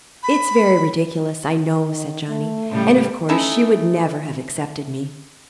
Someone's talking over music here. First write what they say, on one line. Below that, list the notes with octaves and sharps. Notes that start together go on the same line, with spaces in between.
"It's very ridiculous, I know," said Johnny, "and of course she would never have accepted me."
B5
D#3
A3
A2 C#3 G3
A3 C#4 D#4 E4 A4 A#5